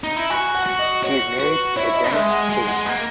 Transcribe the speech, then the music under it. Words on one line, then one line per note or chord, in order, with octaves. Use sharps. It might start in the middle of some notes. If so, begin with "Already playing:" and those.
She is married to Dennis Bates.
D#4
E4
F#4 G#5
F#5
F#4
D#5
F#4 C#5
F#4 B4
E4 C#5
D#5
G#3 E5
F#5
G#3 G#5
G#3 F#5
A#3 F#5